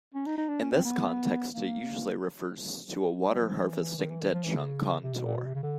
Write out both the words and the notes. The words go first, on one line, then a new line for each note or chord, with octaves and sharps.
In this context it usually refers to a water-harvesting ditch on contour.
C#4
D#4
D#4
D4
C#4
C4
B3
A#3
G3
F3
F3
E3
D#3
E3
D#3
F3
E3
C#3
C3
B2
A#2
B2
C3
C#3
D3